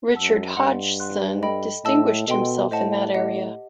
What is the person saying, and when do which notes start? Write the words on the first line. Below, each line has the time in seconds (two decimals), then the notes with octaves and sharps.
Richard Hodgson distinguished himself in that area.
0.14 F#2 F#5 A5 E6
0.57 G2 D#5 F#5 C6
1.00 F#5 C6 F#6
1.43 A4 D#5 G5 B5
1.85 A2 D#5 A5 E6
2.28 B2 A4 D#5 G5 C6
2.71 A2 C5 D#5 F#5 A5
3.14 A2 G4 D#5 F#5